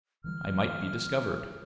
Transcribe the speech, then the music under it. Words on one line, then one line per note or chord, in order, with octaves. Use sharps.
I might be discovered.
D3 E3 G3 F6